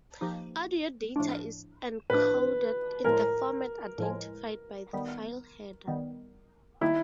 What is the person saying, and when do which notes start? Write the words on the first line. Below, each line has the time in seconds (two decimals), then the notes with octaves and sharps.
Audio data is encoded in the format identified by the file header.
0.21 F3 A#3 D#4 G4
1.16 A2 F3 A3 D4
2.10 A2 F3 A3 D4 B4
3.04 A2 F3 G#3 A#4
3.98 A2 F3 G#3
4.93 D#3 G3 B3
5.87 D#3 G3 B3
6.81 D#3 G3 A#3 D#4 E4